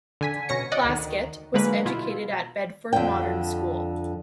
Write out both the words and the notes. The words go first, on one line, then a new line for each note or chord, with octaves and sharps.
Plaskett was educated at Bedford Modern School.
D3 G#5 B6
B2 C#4 C#5 A#6 C#7
D5 D#5 F#5
D2 D#3
D3 F#3 G#3 A#3 B4
B2 E4 F4
F2 D3 G5